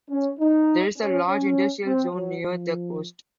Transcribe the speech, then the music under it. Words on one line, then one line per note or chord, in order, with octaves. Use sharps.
There is a large industrial zone near the coast.
C#4
D#4
C#4
C#4
C4
F#3
F3